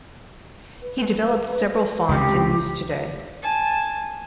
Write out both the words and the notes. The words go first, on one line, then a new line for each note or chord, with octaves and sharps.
He developed several fonts in use today.
B4
C#2 C3 G4
G#5 A5